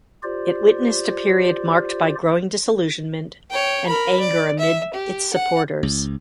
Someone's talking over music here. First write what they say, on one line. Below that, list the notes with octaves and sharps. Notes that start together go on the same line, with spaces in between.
It witnessed a period marked by growing disillusionment and anger amid its supporters.
F4 G4 C5 D5
C#5 G5
A#4 B5
D5
E5
G4
F#5
C#2